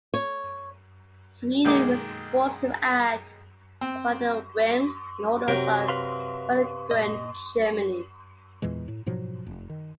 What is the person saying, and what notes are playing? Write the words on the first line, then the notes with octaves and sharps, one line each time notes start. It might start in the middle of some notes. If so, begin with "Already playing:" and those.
Sweden was forced to act upon the whims and orders of a belligerent Germany.
C#5
B1 D#3 G#3 A#3 D#5 D6
C4
C3 F#3 A#4 G5
B4 F5 C6
A#2 D#5
E2 A#2 E3 G#3
A2
G#2 B2 F3 F#3
F1
D#3